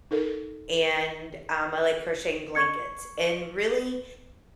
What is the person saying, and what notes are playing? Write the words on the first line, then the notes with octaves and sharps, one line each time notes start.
and, um, I like crocheting blankets. And, really,
D#4 A4 A#4
C#6 G#6 C#7